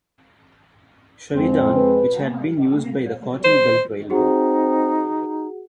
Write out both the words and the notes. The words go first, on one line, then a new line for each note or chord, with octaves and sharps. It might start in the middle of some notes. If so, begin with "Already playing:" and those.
Sheridan, which had been used by the Cotton Belt Railroad.
F2 G#3 C4
B4
C5
C4 D#4 F#4 G#4 F#5